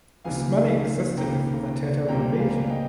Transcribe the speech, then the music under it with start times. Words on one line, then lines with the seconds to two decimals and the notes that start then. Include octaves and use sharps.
This money existed before the Tatar invasion.
0.24 C#2 C3 D#3 A#3 F5 G#5
1.16 C#2 C3 D#3 A#3 G5 A#5
2.08 C#2 C3 G3 A#3 G5 A#5
2.39 F5 G#5
2.69 D#5 G5